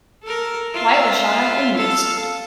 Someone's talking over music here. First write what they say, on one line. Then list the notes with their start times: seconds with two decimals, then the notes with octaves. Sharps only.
Wyatt was shot at and missed.
0.23 A4 A#4
0.74 F4 E5
1.75 A4 F5